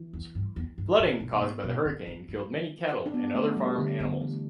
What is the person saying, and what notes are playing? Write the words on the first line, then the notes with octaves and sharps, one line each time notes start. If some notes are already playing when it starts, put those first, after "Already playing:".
Flooding caused by the hurricane killed many cattle and other farm animals.
Already playing: E3
E2
G2
E2
G2
A2
B2
B2
A2 B3
B2
D3
E3
G3
D4
B3
A3
A3
G3
D3
D3 B3
E3
A3